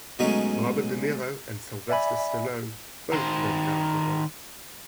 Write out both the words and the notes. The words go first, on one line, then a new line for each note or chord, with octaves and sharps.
Robert De Niro and Sylvester Stallone both turned down the role.
B2 F#3 G#3 A3 C#4 D#4
D5 E5 G#5 B5
D#3 C5